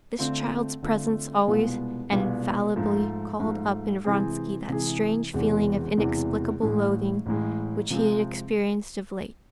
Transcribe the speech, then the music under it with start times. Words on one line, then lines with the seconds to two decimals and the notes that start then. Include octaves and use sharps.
This child's presence always and infallibly called up in Vronsky that strange feeling of inexplicable loathing which he had experienced of late.
0.19 D3 A3 C4 F4
0.82 D3 A3 C4 F4
1.48 C2 B2 G#3 B3 F4
2.11 C2 B2 G#3 B3 F4
2.76 G#2 F3 A3
3.40 G#2 F3 A3
4.05 C3 E3 G#3 C4 G#4
4.69 C3 E3 G#3 C4 G#4
5.33 E1 E2 C3 E3
5.97 E1 E2 C3 E3
6.61 A1 A2 G#3
7.26 A1 A2 G#3
7.90 C3 F3 G#3 C4